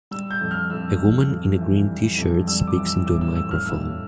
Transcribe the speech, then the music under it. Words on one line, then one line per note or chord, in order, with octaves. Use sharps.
A woman in a green tshirt speaks into a microphone.
G3 E6
G6
F2
F6
F2 E6
F2
F2
E3
G3
F2
G3 E6
D6
E3
E6
A2 D6
E6
A2 E6
F6
A2 E6